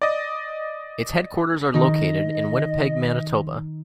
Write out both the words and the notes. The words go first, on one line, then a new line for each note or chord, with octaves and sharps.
Its headquarters are located in Winnipeg Manitoba.
D5 D#5
D#3 D#4 D#5